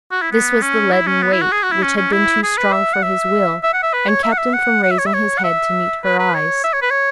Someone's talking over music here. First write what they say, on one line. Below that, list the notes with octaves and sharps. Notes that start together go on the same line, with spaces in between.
This was the leaden weight which had been too strong for his will, and kept him from raising his head to meet her eyes.
F#4
E4
B3
C#4
E4
C#4
B3
E4
F#4
G#4
F#4
E4
C#4
C#4
E4
G#4
B4
E5
F#5
E5
E5
F#5
E5
B4
C#5
E5
F#5
E5
F#5
F#5
E5
C#5
E5
C#5
F#5
E5
B4
B4
C#5
E5
C#5
B4
C#5